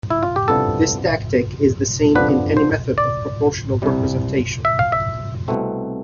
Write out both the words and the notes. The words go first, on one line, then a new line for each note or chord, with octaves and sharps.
This tactic is the same in any method of proportional representation.
E4
F4
G4
C2 C3 F3 B3 D4 A4
F2 D3 F3 B3 D4 B4
C5
D5
C2 C3 G3
E5
F5
E5
C2 B2 A3 C4